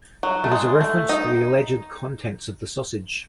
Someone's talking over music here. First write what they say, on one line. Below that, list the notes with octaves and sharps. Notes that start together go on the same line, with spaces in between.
It is a reference to the alleged contents of the sausage.
F#3
A3
G#3
A3
D#4